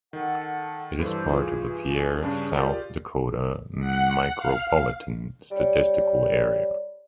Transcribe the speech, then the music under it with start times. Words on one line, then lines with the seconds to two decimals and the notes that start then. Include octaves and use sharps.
It is part of the Pierre, South Dakota Micropolitan Statistical Area.
0.13 D#3 A4 F#5
0.99 G2 E3 D4 A4 C5
1.31 F4 G#4
1.88 G#4 G#5
2.22 G2 C#3 C#4 D4
2.57 F4 G4 A#4 D5
3.80 F#5
4.35 F5
5.51 G3 C#5 D5